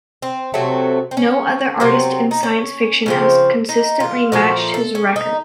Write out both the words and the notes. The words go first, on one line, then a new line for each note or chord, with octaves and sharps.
No other artist in science fiction has consistently matched his record.
C4
C3 F#3 A3 C4
C4
C#4
C3 F#3 C4
D#4
C#4
C#3 F3 C4
D#4
F4
A#2 F3 A3 F#4
A4
C#4
D#4